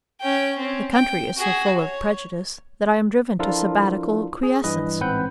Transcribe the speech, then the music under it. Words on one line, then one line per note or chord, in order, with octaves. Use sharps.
"The country is so full of prejudice that I am driven to Sabbatical quiescence."
C#4 G5
C4 C#4
G5
F#4 G#4
C#5
F3 D4 E4 F4 A4 A#4
G#4
G2 E3 B4 D#5
A1 G#2 C4 B4 F#5 G6